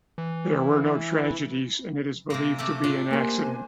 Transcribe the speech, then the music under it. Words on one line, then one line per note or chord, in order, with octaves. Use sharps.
There were no tragedies and it is believed to be an accident.
E3
C3 G#3 A#3
C3 A3 A4 D6
D4 F4 E5
A#3 G4 C5 G#5